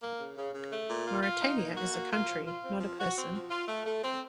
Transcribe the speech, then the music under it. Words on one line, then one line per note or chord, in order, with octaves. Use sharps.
Mauritania is a country, not a person.
A#3
C#3
C#3
C#3
A3
A#2
F4
F4
D#4
A#3
F#4
A#3
F4
F3
F4
C4
F3
F#4
C4
F3
F4
A3
A3
C4